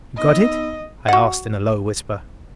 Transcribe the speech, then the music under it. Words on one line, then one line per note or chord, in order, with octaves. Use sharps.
"You got it?" I asked in a low whisper.
B3 D#4 D#5 E6
F#4 F#5